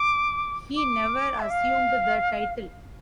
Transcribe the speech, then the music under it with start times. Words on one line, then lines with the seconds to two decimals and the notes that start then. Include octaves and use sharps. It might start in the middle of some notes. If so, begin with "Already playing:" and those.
He never assumed the title.
Already playing: D6
0.76 D6
1.40 E5
1.50 F5